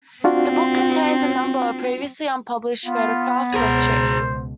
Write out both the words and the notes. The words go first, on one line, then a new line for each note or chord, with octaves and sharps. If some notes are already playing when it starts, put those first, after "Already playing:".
The book contains a number of previously unpublished photographs of Chick.
C4 D4 F4 F#4
B3 F4
C#2 B2 G#4 A#4 C5